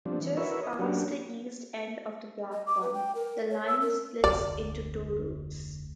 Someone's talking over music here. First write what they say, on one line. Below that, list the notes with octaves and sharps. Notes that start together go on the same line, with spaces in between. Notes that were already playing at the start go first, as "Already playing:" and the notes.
Just past the east end of the platform, the line splits into two routes.
F3 G3 C4 D4
E3
E4 F#4 A#4 B4 C#5 E5
D#5
F#3 A#3 C#4 D4 F#4 G4
D#5
D6
B4
G5
A#4
C#5
E6
A#4
F1 D2 D5